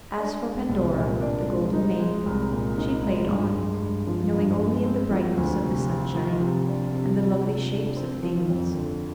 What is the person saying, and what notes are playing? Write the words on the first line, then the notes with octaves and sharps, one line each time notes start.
As for Pandora, the Golden Maid, she played on, knowing only the brightness of the sunshine and the lovely shapes of things.
D4
G#3
C2
A#2
D4
G#3
D#4
G#3
C2
A#2
D#4
G#3
G2
G#3
G2
F3
G2
G#3
C4
F3
D2
C3
C4
F3
C3
D4
C3
G3
C3
D4
C4
F3
F2
D3